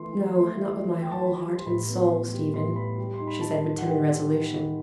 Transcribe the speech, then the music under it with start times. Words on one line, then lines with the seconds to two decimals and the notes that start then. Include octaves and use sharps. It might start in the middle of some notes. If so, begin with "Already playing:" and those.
"No, not with my whole heart and soul, Stephen," she said with timid resolution.
Already playing: E3 A3 E4 C6
0.13 E3
0.35 A3 C6
0.57 E4
0.79 E3
1.01 E3 G5
1.11 A5
1.23 E3 B5
1.45 G3
1.55 C6
1.66 A2 B5
1.88 B3
2.10 E3
2.32 G3
2.54 A2 C6
2.76 B3 B5
2.98 G3
3.14 C6
3.20 D#4
3.27 B5
3.41 D#3 A5
3.63 D#3
3.78 F#5
3.85 G3 G5
4.07 D#4
4.29 D#3
4.51 D#3